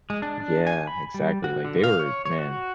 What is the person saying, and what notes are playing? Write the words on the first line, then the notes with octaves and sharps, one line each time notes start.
Yeah. Exactly. Like, they were man,
G#3
D4
D4
G#5
B5
G3
F#4
D3
F5
C#5
C#5
F#4